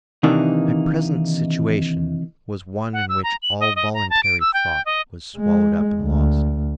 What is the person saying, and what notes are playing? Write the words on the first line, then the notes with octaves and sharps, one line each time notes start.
My present situation was one in which all voluntary thought was swallowed up and lost.
C3 D#3 E3 A#3 D4 D#4
F#5
E6
A#5
F#7
D#5
D#5
A#5
A5
D7
E6
G5
D#5
G#3
D2